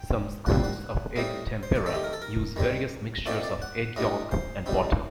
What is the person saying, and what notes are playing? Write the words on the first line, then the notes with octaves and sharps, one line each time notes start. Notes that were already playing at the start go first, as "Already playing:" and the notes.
Some schools of egg tempera use various mixtures of egg yolk and water.
Already playing: G5
A#2 G3 C4 F#5
F#5
A2 G3 C4 D#4 D#5
C5
D5
D#3 A3 D#4 A4
G4
A#4
A4
A#4
D#3 G3 C4
A#2 A3 C4 D#4 D5
D5
F#5
A2 G3 D4 D#5
C5
A2 G3 C4 D#4